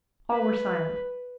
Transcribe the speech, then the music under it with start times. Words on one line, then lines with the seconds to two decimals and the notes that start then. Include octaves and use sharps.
All were silent.
0.32 B4